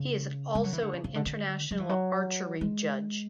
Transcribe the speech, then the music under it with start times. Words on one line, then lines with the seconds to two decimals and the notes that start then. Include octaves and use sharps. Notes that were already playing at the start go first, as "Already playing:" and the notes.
He is also an international archery judge.
Already playing: C#3
0.55 G#3
0.64 F#3
0.73 E3
0.82 D3
0.93 C#3
1.04 C#3
1.15 D3
1.26 D3
1.71 F#3
1.79 E3
1.89 F#3
2.61 G#3